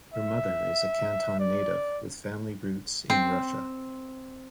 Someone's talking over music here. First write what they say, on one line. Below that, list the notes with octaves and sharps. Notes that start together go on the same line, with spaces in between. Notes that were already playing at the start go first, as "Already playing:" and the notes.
Her mother is a Canton native with family roots in Russia.
E5
D5
C4